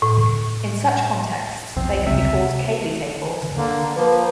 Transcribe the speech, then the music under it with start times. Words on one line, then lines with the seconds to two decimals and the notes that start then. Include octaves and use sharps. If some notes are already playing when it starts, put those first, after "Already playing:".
In such contexts they can be called Cayley tables.
0.02 A2
1.77 B1 F2 C4
2.07 C#2 C3 E5
3.57 D3 A#3
3.96 F3 A#3 B4